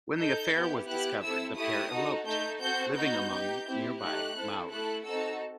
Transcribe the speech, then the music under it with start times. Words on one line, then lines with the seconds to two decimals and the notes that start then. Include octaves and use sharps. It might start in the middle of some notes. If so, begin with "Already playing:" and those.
When the affair was discovered the pair eloped, living among nearby Maori.
0.17 D#4 A4 G6
0.52 B3 E4 G4
0.87 B3 E4 G4 F#6
1.22 C4 E4 A4 E6
1.56 A3 E4 G4 D#6
1.92 D#4 F#4 A4
2.26 A3 D#4 A4 G6
2.61 C4 F#4 A4 G6
2.95 B3 D#4 F#4 G6
3.30 D#4 G4
3.66 C4 E4 G4
4.01 A3 D#4 G4 F#6
4.35 C4 E4 A4
4.70 A3 E4 A4 F#6
5.04 C4 D#4 F#4 A4 E6